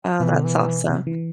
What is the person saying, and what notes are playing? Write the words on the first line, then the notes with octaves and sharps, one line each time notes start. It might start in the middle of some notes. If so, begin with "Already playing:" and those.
Oh, that's awesome.
B2 E3
D3
E3
C3
E3